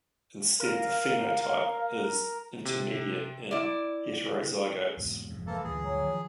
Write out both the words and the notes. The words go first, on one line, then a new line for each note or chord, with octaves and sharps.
Instead the phenotype is intermediate in heterozygotes.
A#4 F5
C3
E4 D5
E2 G#2 B2
F1 F2 G#2
E3 A#3 A4
D2 G2 A#2 G#4
F#3
D#3 F3